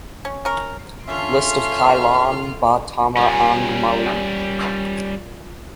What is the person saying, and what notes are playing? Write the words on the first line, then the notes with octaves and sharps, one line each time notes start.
List of Kailan Ba Tama ang Mali?
C#4
C#4 A#4
E2 D3 C#4 F4 A4 E5 C6 F6
F#2 A#2 G3 C#4